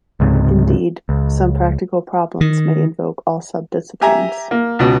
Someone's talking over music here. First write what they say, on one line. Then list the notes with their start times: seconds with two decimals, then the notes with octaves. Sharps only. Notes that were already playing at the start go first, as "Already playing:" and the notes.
Indeed, some practical problems may invoke all sub-disciplines.
0.20 C#2 G#2 C3
1.09 C#2
2.41 D#3
4.01 G4 E5 G#5 A#5
4.51 A#3
4.79 C#2 B2